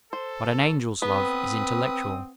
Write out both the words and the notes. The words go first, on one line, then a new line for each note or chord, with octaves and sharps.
But an angel's love is intellectual.
A4 C5
B3 C4 B4 D#6